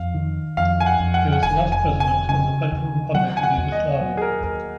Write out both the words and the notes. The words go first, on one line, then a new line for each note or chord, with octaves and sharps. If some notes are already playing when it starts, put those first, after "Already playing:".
He was the last president of the Federal Republic of Yugoslavia.
Already playing: F2 F5
D#3
F2 F5
G#5
F#5
F2
F#5
F#5
F1 G#5
G#5
C#3
G#5
C#3 G#5
D#2
F#3 F#5
G#5
F#5
D#2
D#5
F#3
G#4
A#4
D#2 A#4